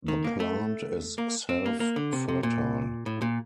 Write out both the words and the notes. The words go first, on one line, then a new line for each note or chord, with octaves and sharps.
The plant is self-fertile.
D#3
A#3
A3
A#3
C4
A#3
A#3
D3
C3
C3
A#2
A2
A#2